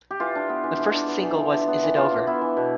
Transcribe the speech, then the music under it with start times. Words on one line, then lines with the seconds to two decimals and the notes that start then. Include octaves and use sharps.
The first single was Is It Over?
0.11 G4
0.20 E3 F4
0.35 D4
0.49 B3
0.64 E3
0.80 E3
0.94 D4
1.08 B3
1.23 E3
1.38 E3
1.53 D4
1.68 B3
1.83 E3
1.97 E3 F4
2.13 D4
2.27 B3 E4
2.41 E3
2.57 B2